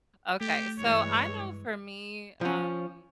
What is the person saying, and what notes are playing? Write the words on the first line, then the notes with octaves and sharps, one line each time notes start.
Okay, so I know for me, um,
A3 G4
G2 E3 G#3 C#5
F3 C#4